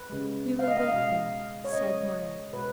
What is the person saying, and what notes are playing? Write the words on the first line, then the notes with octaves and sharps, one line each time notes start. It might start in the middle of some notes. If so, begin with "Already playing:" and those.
"We will wait, then," said Morrel.
Already playing: B4
C#3 G#3
F5
D#5
F5
B2 G#3 F5
C#5
C#3 G#3 D#5
B2 G#3 B4